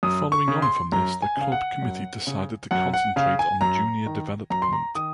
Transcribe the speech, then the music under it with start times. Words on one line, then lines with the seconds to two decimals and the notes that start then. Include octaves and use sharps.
Following on from this the club committee decided to concentrate on junior development.
0.03 F#2 D#6
0.32 C#6
0.48 C#3
0.62 C6
0.92 F#2 A#5
1.22 G#5
1.37 C#3 F5
1.52 F#5
1.82 F#2
2.27 C#3
2.71 F#2 F#5
2.94 F#5
3.16 C#3 F5
3.39 G#5
3.61 F#2 A#5
4.06 D#3
4.50 F#2 A#5
4.62 C6
4.73 A#5
4.95 D#3 D#6